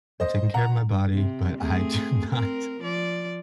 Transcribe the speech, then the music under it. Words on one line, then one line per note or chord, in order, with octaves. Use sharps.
I'm taking care of my body, but I do not
C5 D#5
F#5 A#5
C3
A3 C4 G#4
C4 A#4
F3 D5